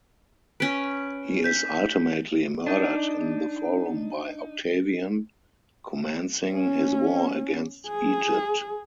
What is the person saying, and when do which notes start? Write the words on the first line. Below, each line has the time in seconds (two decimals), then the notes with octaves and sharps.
He is ultimately murdered in the Forum by Octavian, commencing his war against Egypt.
0.60 C#4 B4 D7
1.44 G6 B6
2.67 D4 D#4
6.53 C#4
7.88 G#4